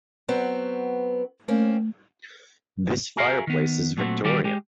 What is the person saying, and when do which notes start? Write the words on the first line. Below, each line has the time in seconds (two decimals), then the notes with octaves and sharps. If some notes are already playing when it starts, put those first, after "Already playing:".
This fireplace is victorian.
0.28 F#3 B3 C4
1.48 A3 A#3 C4 C#4
3.17 F#4 G#4 A#4 E5 F5
3.47 D#3 B3
3.97 A#2 F#3 A3 C4 F4 F#4
4.24 D3 D#3 G3 F4 G4 D5
4.44 G#3 G4